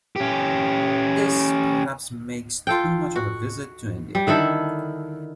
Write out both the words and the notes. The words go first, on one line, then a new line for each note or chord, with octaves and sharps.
This perhaps makes too much of a visit to India.
C#4 G4
F4 A4 G5
F#4
G3
D3 D#3 E4 A4